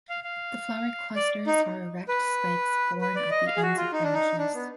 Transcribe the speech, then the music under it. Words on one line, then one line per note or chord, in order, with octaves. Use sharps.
The flower clusters are erect spikes borne at the ends of branches.
F5
F5
D5
D#4
B4
B4
D5
D#5
F5
G#4
F#4
F4
D#4
D4
D#4
D4
B3